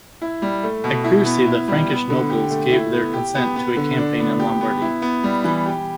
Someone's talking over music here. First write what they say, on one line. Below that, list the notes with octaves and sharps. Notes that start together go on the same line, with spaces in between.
At Quiercy the Frankish nobles finally gave their consent to a campaign in Lombardy.
E4
G3
A3
B2
E4
B3
E4
G3
B3
D3
G4
A3
E4
B3
G4
B3
B3
D3
D4
B3
G4
B3
E4
B3
G3
E3
G4